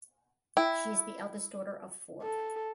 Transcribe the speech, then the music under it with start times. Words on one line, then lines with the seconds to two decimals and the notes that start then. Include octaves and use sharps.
She is the eldest daughter of four.
0.57 E4 G5
2.22 A4